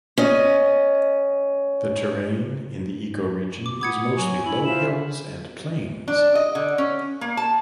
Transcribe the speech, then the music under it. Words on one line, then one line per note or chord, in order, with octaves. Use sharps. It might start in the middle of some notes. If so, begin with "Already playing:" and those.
The terrain in the ecoregion is mostly low hills and plains.
C#4 D#5
D6
B3 D6 D#6 G#6 C#7
F#3 C#5 G#5 C#6
E4 F#7
F4 C5 E5 E7
D4
D#5
D3
C#4
A#3
A5